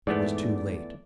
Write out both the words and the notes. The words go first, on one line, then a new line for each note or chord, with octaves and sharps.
It was too late.
E2 G#2 A3 B3 D5